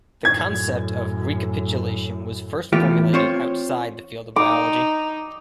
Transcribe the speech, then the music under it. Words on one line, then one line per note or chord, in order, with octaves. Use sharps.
The concept of recapitulation was first formulated outside the field of biology.
F#2 A2 G#6
E2 A2 A3 F4 G4
C4 F4 C5 C#5
D#4 D6